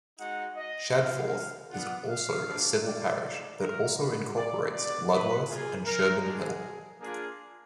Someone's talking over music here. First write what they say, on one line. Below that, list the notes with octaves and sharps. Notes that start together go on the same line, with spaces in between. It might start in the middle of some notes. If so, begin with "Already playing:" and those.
Shadforth is also a civil parish that also incorporates Ludworth and Sherburn Hill.
G#3 D#4 F#4 F#5
D#5
B3 F4 F5
B3 D4 F4 F#5
F5
A#3 D4 F#4
D5
G#3 D#4 F#4
A#4
B3 D#4 F#4 B4
D5
B3 D4 F#4 D5
B4
A#3 F4 G#4
A#4
G#3 D4 F#4 G#4
A#3 D4 F4 G#4